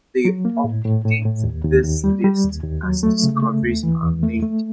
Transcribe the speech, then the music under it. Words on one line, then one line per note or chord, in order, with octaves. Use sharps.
They update this list as discoveries are made.
F#3
A#3
A2
A2
A2
A2
D#2
D#2
D#2
G3
G3
D#2
D#2
F#3
A3
C#3
A3
D#2
E3
E2
A3
A3